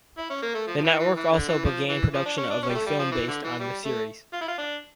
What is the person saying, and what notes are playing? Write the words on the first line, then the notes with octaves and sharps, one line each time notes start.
The network also began production of a film based on the series.
E4
C#4
A#3
A3
F3
F3
E3
E3
E3
D3
E3
F3
E3
F3
D4
C#4
D4
C#4
G3
A3
G3
F3
E3
D3
E3
G3
A3
F4
E4
F4
D4